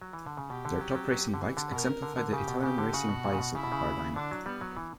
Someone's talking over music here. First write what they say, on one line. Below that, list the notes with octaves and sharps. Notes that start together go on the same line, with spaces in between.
Their top racing bikes "exemplify the Italian racing bicycle paradigm".
F#3
E3
D3
C#3
B2 G4
D3
F#3
G3
F#3
F#3
D3
E3
D3
B2 A#4
D3
D3
C#3 G4
B2
C#3 G4
D3
C#3 F#4
B2
A#2
C#3
B2
C#3 E4
B2
C#3
D3 D4
F#3
G3 B3
F#3
E3